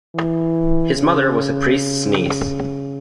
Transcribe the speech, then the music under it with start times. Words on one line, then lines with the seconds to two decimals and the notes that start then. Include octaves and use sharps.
His mother was a priest's niece.
0.15 E3
0.95 C#3